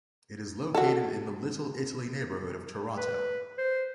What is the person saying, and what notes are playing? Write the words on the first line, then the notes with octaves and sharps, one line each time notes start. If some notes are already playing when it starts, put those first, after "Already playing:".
It is located in the Little Italy neighbourhood of Toronto.
F#4 A4
B4
C5